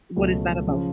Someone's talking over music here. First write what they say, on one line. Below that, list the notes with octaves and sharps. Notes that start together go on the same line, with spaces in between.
What is that about?
C#2 B2 F#3 A3
C#3 F3